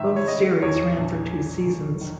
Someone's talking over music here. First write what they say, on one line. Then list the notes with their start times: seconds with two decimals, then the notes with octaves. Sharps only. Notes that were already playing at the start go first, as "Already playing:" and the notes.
Both series ran for two seasons.
Already playing: G#2 D#3 E5
0.16 C#5
0.28 C#3 D#5
0.62 E2 C#5
0.97 A#1
1.31 A#1
1.66 E1
2.01 D#3